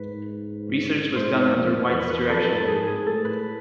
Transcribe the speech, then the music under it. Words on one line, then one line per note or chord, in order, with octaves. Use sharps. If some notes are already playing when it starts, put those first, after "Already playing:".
Research was done under White's direction.
Already playing: G#2 B4
G#2 C5
F2
E2 B4
B4
F2 A4
A4 B4
A4
G#2 G#4
G#4
A2 A4
B4